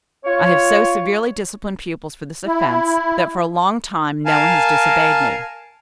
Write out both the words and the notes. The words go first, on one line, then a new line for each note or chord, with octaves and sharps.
I have so severely disciplined pupils for this offence that for a long time no one has disobeyed me.
F4 C#5
E4
A#4 F5 G#5 A5